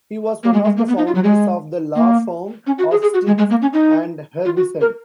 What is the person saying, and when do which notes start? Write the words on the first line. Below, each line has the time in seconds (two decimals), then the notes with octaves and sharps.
He was one of the founders of the law firm of Stites and Harbison.
0.44 A#3
0.53 G#3
0.64 G#3
0.77 A#3
0.88 B3
0.97 D#4
1.07 F4
1.15 F#3
1.24 G#3
1.95 A#3
2.67 C#4
2.78 F#4
2.91 G#4
3.02 G#4
3.14 F#4
3.27 G#3
3.38 G#3
3.50 A#3
3.62 C#4
3.73 D#4
4.45 F4
4.57 F#4
4.81 A#4